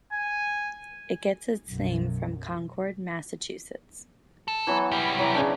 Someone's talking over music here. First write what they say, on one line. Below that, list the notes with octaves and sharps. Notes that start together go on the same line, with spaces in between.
It gets its name from Concord, Massachusetts.
G#5
B1 F#2
A4
E3 F#3 B3
C2 G3
E3 F#3
C#3 E3 D4